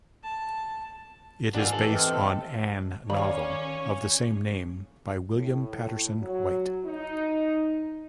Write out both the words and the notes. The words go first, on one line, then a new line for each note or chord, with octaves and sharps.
It is based on an novel of the same name by William Patterson White.
A5
G#2 D#3 D4 F4 G4 F#5 G#5 E6
E3 G4 A4 B4 A6 F#7
C4 D#5 F6
D#3 G3 C#4 C#5 F5 B5 D6
A2
F#3
D#4